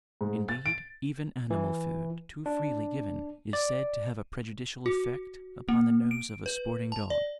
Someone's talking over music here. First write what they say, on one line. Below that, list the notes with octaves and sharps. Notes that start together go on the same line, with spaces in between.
Indeed, even animal food too freely given is said to have a prejudicial effect upon the nose of a sporting dog.
G#2
A6
D7
E3
D4
D5
F#4
A#3
D7
B4
A5
D5